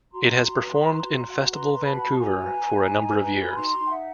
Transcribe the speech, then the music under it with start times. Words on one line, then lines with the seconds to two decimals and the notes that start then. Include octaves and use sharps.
It has performed in Festival Vancouver for a number of years.
0.12 F#4 A#5 C6
0.35 F#4
0.58 B4
0.80 B4
1.03 F#4
1.26 F#4
1.49 B4 A#5 C6
1.73 B4
1.84 A5 B5
1.95 F#4
2.10 A5
2.17 F#4 G#5 A#5
2.41 B4
2.63 B4
2.87 D#4
3.10 B4
3.33 F#4
3.46 B5
3.56 D#4 A#5 C6
3.78 D#4
3.86 G5
3.89 E5 F#5